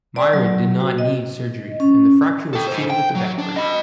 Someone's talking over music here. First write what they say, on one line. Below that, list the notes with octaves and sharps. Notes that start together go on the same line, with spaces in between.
Meira did not need surgery and the fracture was treated with a back brace.
D5
F#3
F#4
D#5
C#4
A4 G5
G#4 C5
G5
F#3
D4
D#5 B5